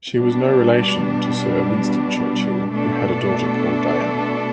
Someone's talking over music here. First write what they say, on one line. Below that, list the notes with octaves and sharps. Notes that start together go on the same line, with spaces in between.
She was no relation to Sir Winston Churchill, who had a daughter called Diana.
B2 G3 D4
B2 A3 D4 A4